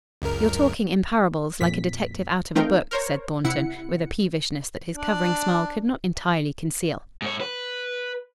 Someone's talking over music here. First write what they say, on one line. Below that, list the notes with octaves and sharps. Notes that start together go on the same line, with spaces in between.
"You're talking in parables, like a detective out of a book," said Thornton, with a peevishness that his covering smile could not entirely conceal.
C#2 F#2 A#4
F2 A#2 B6
A3 C4 D#4 A#4 F5 G5
A#4 C5 C#5
C3 E4 F#5 C#7
D4
G#2 C#5
B4